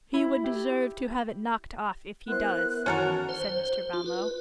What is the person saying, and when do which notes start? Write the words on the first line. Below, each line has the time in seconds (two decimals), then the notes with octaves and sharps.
'He would deserve to have it knocked off, if he does,' said Mr. Brownlow.
0.14 E4
0.44 G4
2.28 B3 E4 A#4 C5 F#6
2.86 F#2 D#3 E3 C#4 F#4 A4 A#4
3.29 C5
3.93 F4
4.06 B4